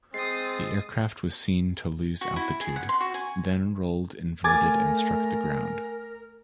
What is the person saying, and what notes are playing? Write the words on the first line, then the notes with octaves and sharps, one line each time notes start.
The aircraft was seen to lose altitude, then rolled inverted and struck the ground.
G#3 C4 D#6 A6 C7
F#4
E4
G#4
F#5
C6
F#4
G#5
A3 A#4 G#5 D6 G#6 A6